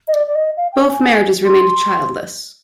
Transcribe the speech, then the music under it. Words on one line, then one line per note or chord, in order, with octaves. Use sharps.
Both marriages remained childless.
D#5
D5
D5
D#5
F5
G5
G#5
C6